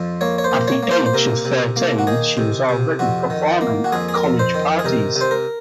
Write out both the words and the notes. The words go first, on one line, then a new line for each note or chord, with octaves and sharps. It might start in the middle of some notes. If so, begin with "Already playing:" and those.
At the age of thirteen, she was already performing at college parties.
Already playing: F2 F3
A#3 C#5
C#5
C5
A#3
C#5
A#3
C5
C5
C3 A#4
C3
A#3
F#4
D#3 G#4
C3
C3
F2 F#4
D#3
A#3
F#4
F2 G#4
G#4
A#4
F2
C5
D#3
G#4
C3 A#4
C3
C5
A#4